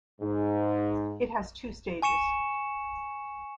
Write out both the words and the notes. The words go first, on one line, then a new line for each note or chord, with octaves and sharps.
It has two stages.
G#2
G#5 C#6 C#7 E7